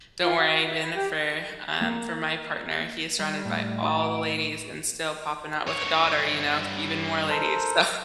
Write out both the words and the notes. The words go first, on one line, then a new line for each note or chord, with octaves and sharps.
don't worry, been it for, um, for my partner, he is surrounded by all the ladies and still popping out with a daughter, you know, even more ladies. So,
F4
F#4
E5
B4
G4
A#3
G3
A2
D#4 F#4 D#5 A5
D7
G2 C#5
A4 A#4 C5